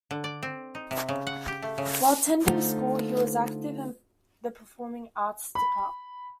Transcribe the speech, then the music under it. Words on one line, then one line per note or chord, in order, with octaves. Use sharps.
While attending school, she was active in the performing arts department.
D3
D5
C4
D#4
C3
C#3
F#5
G4
A3
C#3
D3 A3 D#4 F4 C5
B5